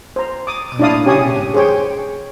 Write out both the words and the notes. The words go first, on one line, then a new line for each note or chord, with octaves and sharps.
And I’ll leave it at that.
C5 A#5
D6 D#6
D4 E4 D5 F5 D#6
C#4 G4 C#5 G#5 D#6
G#4 C5 C#5 G5